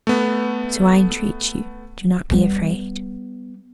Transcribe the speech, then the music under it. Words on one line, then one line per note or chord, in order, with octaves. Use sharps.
So I entreat you do not be afraid.
A3 B3
G3 B3